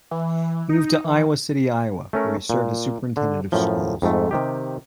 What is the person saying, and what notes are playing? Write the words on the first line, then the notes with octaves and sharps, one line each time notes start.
He moved to Iowa City, Iowa, where he served as Superintendent of Schools.
E3
D#4
E3
A3 C#4 A#4
A#2
D3
F#2 A2 F3
F2 G#2 A3
C3 D#3 G4